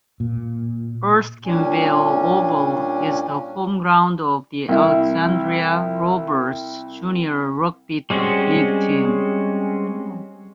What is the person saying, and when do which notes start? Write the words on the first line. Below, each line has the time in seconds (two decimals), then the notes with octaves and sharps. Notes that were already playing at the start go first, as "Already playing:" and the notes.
Erskineville Oval is the home ground of the Alexandria Rovers junior rugby league team.
0.20 A#2
1.46 A#2 G3 C#4 D4 G#5
4.69 C2 E4
8.10 G3 G#3 C4 C#4 F#4